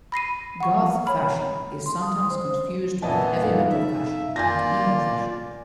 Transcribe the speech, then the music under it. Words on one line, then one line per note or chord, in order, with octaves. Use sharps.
Goth fashion is sometimes confused with heavy metal fashion and emo fashion.
B5 A#6 C7 D#7
F#5 C#6
C#5 A#5 B5 F6
C6
D#6
C5
A#2 E3 B3 D#5 E5 A5
D#4 A4 F5
E5
A#3 F4 D5 G#5 G6 A#6